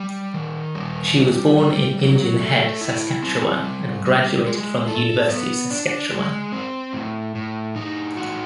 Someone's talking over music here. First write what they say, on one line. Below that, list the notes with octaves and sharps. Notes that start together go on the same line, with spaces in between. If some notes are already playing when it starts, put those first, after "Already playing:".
She was born in Indian Head, Saskatchewan and graduated from the University of Saskatchewan.
Already playing: G3
D#3
G3
G3
G3
F#3
A3
E4
C4
G3
G3
G#3
A4
B3
D4
G#3
C4
A2
A2
D#4
F#4